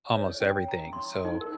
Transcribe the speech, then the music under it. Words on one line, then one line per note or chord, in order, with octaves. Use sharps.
almost everything, so,
C#5
C#4
A#5
C6
D#4
A#4